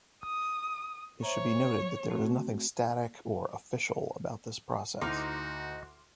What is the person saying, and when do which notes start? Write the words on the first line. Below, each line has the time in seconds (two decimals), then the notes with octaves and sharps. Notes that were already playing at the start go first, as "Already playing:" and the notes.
It should be noted that there is nothing static or "official" about this process.
0.24 D#6
1.23 C5 C#5 E5 A#5
2.10 A3 C4 F#4
5.01 D2 D#4 E4 F#4 C6 D6 F6